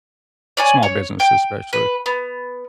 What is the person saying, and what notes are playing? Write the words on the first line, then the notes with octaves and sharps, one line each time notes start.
small businesses, especially.
C#5 D5 G#5
C#5
G5
B4
B3